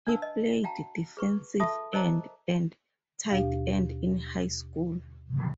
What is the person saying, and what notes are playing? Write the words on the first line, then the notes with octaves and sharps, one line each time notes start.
He played defensive end and tight end in high school.
D4 B4 F5 A5 E6
D#5
F#4 F5 G5 A5 A#5
G#4 B4 C#6
F4 A4 E5 A5 C#6 D#6
A#4 C5 D#5 A5 A#5 D6
D#2 B2 D4 G4 F5